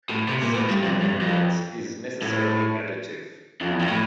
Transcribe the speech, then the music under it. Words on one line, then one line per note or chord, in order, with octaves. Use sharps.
Such an equivalence is necessarily additive.
A2
C3
A#2
A2
G2
F2
G2
F2
A2
F2
E2
F2
A2